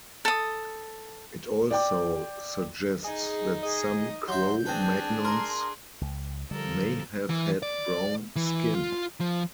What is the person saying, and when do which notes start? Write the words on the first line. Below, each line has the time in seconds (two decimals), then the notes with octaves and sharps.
It also suggests that some Cro-Magnons may have had brown skin.
0.25 A4 D#6
1.71 D5 G5 D6
3.04 D#4 G#4
3.63 G#4 D#5
4.28 F#3 E5 C6 G6
4.66 C4 D4 G#4 B4 A5
5.25 A#4 C6
6.01 C#2
6.51 D3 F3 G3 A4 A#4
7.30 E3
7.63 D5
8.36 E3
8.75 F4
9.21 F3